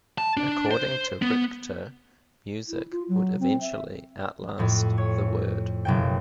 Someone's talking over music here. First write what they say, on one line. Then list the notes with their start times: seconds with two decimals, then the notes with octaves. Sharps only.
According to Richter, music would eventually 'outlast' the word.
0.18 A5
0.37 D4
0.71 C5
1.22 B3
2.68 E4
2.91 F4
3.08 F#3
3.39 C4
3.61 E5
4.59 F2 A2
4.98 C#5
5.85 F#1 B2 G5